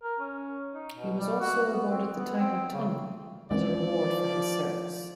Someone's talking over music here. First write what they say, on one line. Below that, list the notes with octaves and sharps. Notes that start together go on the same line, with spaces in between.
He was also awarded the title Tun as a reward for his service.
A#4
C#4
D#4
B2
G3
F#4
B3
C4
B3
C4
C#3
F3 G#3 C4 C#4 D5